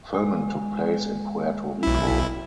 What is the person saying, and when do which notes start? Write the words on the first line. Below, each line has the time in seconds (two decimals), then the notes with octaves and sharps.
Filming took place in Puerto Rico.
0.14 G#3
1.83 B1 E4